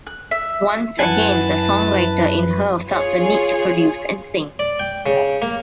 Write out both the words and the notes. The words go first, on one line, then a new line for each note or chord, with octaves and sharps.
Once again the songwriter in her felt the need to produce and sing.
F#6
E5
F#2 E4 B4 F#5 G#5 A5
F4 G#4 C#5
D5
G5
C#3
A#3